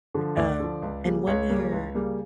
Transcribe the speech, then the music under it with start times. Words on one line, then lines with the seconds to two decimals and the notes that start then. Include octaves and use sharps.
Um, and one year,
0.15 D3 F3
0.37 D2 D5
0.59 D3 F3
0.82 C#2
1.04 C#3 G3 A#3
1.27 C#2 C#5
1.50 C#3 G3 A#3
1.72 C#2
1.95 C#3 G3 A#3